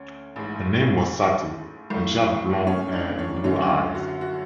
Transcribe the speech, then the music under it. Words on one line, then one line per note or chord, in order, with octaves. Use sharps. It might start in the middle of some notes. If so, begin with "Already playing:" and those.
Her name was Sati, and she had blonde hair and blue eyes.
Already playing: D2 C#4
A1 G#2
B1 A2
C#4
D4
C#4
F#1 F#2 D3 C#4
F4
F#4
F#4